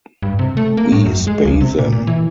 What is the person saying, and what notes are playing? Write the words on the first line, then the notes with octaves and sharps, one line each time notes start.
We spay them.
G2
C3
A3
A#3
A2
F#2
G#3
C#2
C3
A#2
A#2
E3